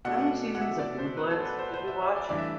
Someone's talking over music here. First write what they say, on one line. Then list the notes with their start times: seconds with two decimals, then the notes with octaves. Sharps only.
How many seasons of Blue Bloods did we watched?
0.05 B2 A3 D4 F#5
0.55 F#5
0.61 E5
0.79 D5
0.99 C5
1.17 B4
1.31 A4
1.40 C5
1.45 B4
1.59 C5
1.74 C5
1.87 E5
2.02 E5
2.16 D5
2.29 G2 E3 A3 D4 D5
2.38 E5